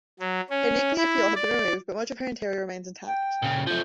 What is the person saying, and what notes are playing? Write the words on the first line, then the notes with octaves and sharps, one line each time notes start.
Her nuclear fuel has been removed but much of her interior remains intact.
F#3
C#4
E4
D5
G5
A#2 C#3
F3 A3 G6